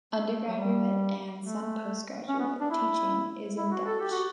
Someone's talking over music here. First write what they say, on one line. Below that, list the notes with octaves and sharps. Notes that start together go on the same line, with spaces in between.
Undergraduate and some postgraduate teaching is in Dutch.
A3
F#3
G3
A3
C#4
B3
D4
E4
E4
F#4
A4
G4
F#4